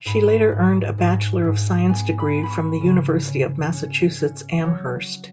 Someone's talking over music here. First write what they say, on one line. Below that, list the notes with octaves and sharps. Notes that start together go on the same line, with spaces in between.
She later earned a Bachelor of Science degree from the University of Massachusetts Amherst.
G#2 B5
G#2
G#2
G#2
B3 G#5
B5
B3
B5
C#6
C#3
C#3
C#4
C#4
F#3 C#5